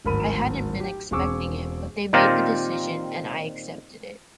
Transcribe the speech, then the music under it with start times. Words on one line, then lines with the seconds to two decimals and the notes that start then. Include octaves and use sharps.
I hadn't been expecting it, but they made the decision and I accepted it.
0.05 D1 G#1 A#4 B5 D#7
0.80 G4 G5
1.11 E1 C4 G#4 C#6 D6 E6
2.13 A#2 D#3 C4 F4 G4 A#5